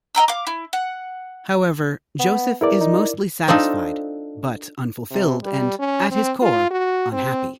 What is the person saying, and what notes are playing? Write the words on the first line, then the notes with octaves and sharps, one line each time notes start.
However, Joseph is mostly satisfied, but unfulfilled and, at his core, unhappy.
D#5 G5 A#5 E6
F5 D6
E4
F#5
B3
E2 E4 A#4 D5
D#4
C4 D4 D#4 F4 A4
C3
G3
C#4
C4
F4
F#4
C4